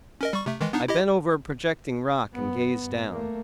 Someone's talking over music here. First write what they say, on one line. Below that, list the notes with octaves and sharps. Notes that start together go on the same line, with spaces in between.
I bent over a projecting rock and gazed down.
C#4 A#4 D#5
G3 C#6
C3 A3
D#3 E3 G#3
B3 D4 D#4
E4 G4 D#5
F#2 B3
G2
A3 A#3